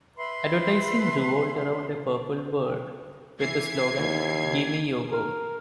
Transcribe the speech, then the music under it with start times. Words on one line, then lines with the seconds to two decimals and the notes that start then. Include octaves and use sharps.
Advertising revolved around a purple bird with the slogan "Gimme Yogo!".
0.16 B4 E5 B5 C6
3.40 E3 G#6 C7
3.99 D#2
5.11 A#4